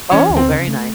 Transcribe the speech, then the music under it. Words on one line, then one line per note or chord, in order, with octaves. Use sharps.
Oh, very nice.
E3 C#4
D2
C4
C#3
A3